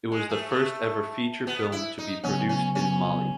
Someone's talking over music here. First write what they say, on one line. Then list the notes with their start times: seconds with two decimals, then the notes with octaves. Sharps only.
It was the first ever feature film to be produced in Mali.
0.12 G#3
0.31 A3
0.51 A3
1.47 B3
1.72 E4
1.98 D#4
2.24 C#3 F#3 B3 C#4
2.49 C#4
2.75 C#4